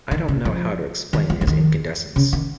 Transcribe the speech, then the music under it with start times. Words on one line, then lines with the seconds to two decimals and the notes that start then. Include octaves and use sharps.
I don't know how to explain his incandescence.
0.11 D#3
0.28 C#3
0.45 F3
1.13 D#3
1.30 F3
1.41 F3
1.47 D#3
2.16 C#3
2.33 D#3